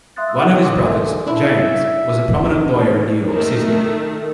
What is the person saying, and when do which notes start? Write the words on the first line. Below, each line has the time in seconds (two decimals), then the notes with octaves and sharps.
One of his brothers, James, was a prominent lawyer in New York City.
0.16 E5 F5 C6 D#6 F#6 A6
0.28 E6
0.49 F#5 G5
0.63 C6 D6 D#6
0.83 A4 A#4 D5 E5 G#5 C6
1.27 D4 E4 E5
3.32 D#3 A3